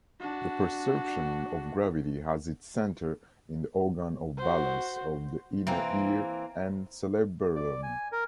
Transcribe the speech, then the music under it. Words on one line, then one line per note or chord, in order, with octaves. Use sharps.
The perception of gravity has its center in the organ of balance of the inner ear and cerebellum.
D4 F#4
F#4 C5
E3 A#3 C4
D5
G#5
A#4